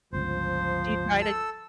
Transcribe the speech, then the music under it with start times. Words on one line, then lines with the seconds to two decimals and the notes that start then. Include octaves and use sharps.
Do you try to
0.13 G1 C#2 F3 C5
1.21 A4 E6